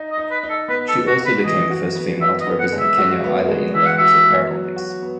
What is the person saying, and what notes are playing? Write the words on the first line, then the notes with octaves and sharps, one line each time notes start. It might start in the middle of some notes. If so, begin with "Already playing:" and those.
She also became the first female to represent Kenya either in Olympics or Paralympics.
Already playing: D#4
D#5
D#4
B4
D#4
A4
B3 B4
A4
B3
F#4
F#4
B4
E3 D#5
F#4
B3
B3 E5
D#5
B3
F#5
G#3
E5
F#4
B3
G#3
E3 E5
F#5
F#4 E5
B3
F#3
F#4
B3